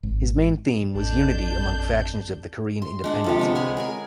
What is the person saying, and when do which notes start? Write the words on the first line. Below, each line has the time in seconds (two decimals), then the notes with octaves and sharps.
His main theme was unity among factions of the Korean independence movement.
0.03 G#1
0.95 A1 F2 D4 G6
2.82 C6
3.04 G#3 D4 F#5
3.24 C3 F3 A4
3.39 C3 G#3 B3
3.55 G#4 C#5 F#5 G#5
3.77 G#4 A#4 G#5